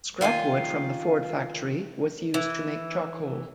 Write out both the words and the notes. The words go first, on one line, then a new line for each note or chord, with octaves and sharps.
Scrap wood from the Ford factory was used to make charcoal.
D#3 F4 B4 G#5
E3